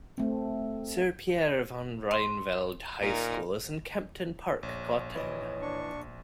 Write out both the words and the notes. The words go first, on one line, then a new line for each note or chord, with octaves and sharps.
Sir Pierre van Ryneveld High School is in Kempton Park, Gauteng.
A3 C4
C6
A#2 D#4 A#4
A#1 C#5
E3 C#5 D#5
D4 C#6